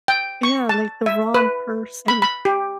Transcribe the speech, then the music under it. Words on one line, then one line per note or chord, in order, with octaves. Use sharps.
Yeah, like the wrong person.
G5
C#6
A5
E5
B4
B5
B5
G4